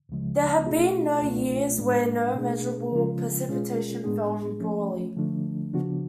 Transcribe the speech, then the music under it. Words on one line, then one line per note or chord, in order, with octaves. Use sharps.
There have been no years when no measurable precipitation fell in Brawley.
C#2 C#3 F3 G#3
B2 A3 C#4 F4 G#4
C#2 B2 A3 D4 F4
A2 G#3 D4
B2 A3 D4 G#4
C#3 F3 G#3 C#4 F4
B2 G#3 C#4 F4 G#4
A2 G#3 B3 D4 G#4
F3 A3 C#4
D3 F3 A3 D4
C#3 F3 B3 D4 F#4